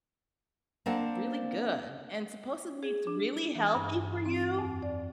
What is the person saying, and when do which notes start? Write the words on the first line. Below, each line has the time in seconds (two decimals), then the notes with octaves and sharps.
really good and supposedly it's really healthy for you.
0.86 A#3 C4 D4 C5 D5 F#5
2.83 G#4
3.07 D4
3.55 E3
3.75 G2
4.26 C4
4.58 F2
4.83 D5